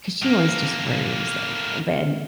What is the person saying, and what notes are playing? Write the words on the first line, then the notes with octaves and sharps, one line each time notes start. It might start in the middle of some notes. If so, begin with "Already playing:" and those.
'cause she always just worries, eh, but and
A2 A#3